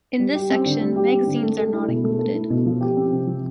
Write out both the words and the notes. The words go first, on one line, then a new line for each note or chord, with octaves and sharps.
In this section, magazines are not included.
G3
G4
C4
D3
G3
G4
C4
D3
A3
A4
E4
B2
A3
A4
E4
B2
F3
G4
C4
C3
F3